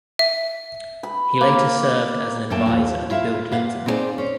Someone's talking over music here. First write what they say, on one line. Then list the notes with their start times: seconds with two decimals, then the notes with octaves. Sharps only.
He later served as an adviser to Bill Clinton.
0.19 E5
1.03 B5
1.41 A#3
2.50 F#2 A#2 A3 A#3 G5 A5
2.66 D#2 F3 F4 F#4
3.10 E4 F4 E5 F5
3.52 A#2 B4 F5 F#5
3.86 C4 D#4 E4 G#4 C5 D5
4.18 C#4 C5